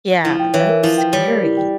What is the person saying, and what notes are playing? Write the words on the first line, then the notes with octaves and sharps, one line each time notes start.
Yeah, that's scary.
F3 E4
G5
E3 C#5
A#4
F3 E4
G5
G3 C#5
A#4
E4
G5